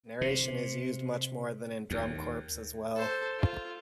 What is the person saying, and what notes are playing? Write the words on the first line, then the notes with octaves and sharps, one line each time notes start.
Narration is used much more than in Drum Corps as well.
C3
D#2
A4 C5
F4